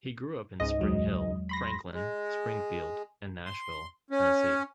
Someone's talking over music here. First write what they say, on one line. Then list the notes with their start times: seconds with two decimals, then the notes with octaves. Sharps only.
He grew up in Spring Hill, Franklin, Springfield, and Nashville, Tennessee.
0.60 C#2 G#2 D#5
0.79 E2 F#3 G#3
1.49 B5 C6 A#6
1.93 G#3
3.46 C6
4.10 C#4